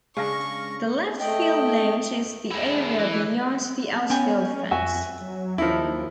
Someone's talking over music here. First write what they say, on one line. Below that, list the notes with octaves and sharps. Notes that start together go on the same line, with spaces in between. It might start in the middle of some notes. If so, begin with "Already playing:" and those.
The Left Field Lounge is the area beyond the outfield fence.
C#3 G#3 D4 F5 C#6 A#6
A3 D#5 G5
D2
G#3 E4
E3
B3 C#4 G5 G#5
F2 F#4 E5 G#5
F#3
D#2 F3 D#4 E4